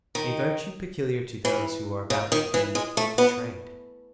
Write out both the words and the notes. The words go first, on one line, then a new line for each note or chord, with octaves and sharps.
A virtue peculiar to those who are about to be betrayed.
D#3
E3
C#3
D#3
E3
G#3
A3
B3